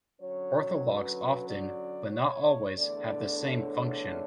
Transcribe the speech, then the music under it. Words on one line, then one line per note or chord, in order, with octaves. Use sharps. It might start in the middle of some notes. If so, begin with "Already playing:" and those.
Orthologs often, but not always, have the same function.
D3 F#3 C#4 C#5
B4
D5
C#5
E2 D3 A3 D4 D5
C#5